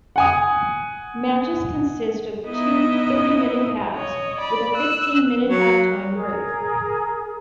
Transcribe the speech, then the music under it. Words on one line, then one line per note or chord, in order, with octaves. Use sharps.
Matches consist of two thirty-minute halves, with a fifteen-minute half-time break.
F#5 G#5 D#6
B3 D#4 E4 D#5 E5
C#5 D#5
D5 B5
E6 F#6
F#3
G#4 A#4